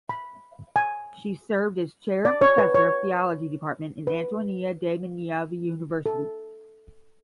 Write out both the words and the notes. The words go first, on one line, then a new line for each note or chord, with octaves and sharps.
She served as Chair and Professor of Theology Department in Ateneo De Manila University.
B5
G#5
D5
C#5
B4
C#5
B4
A4